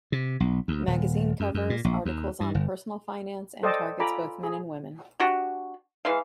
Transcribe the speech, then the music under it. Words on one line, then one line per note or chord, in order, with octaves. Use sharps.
The magazine covers articles on personal finance and targets both men and women.
C3
B1
D2
D#1
F#2
F#2
A#2
A#1
D#2
G2
G1
A4 C5 D5 D#5 G5 A5
F4 A4 G#5 A#5 B5 D6
G#4
D4 F#4 G4
E3 G#3 F5